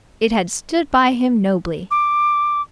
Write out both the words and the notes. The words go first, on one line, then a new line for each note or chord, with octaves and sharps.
It had stood by him nobly.
D6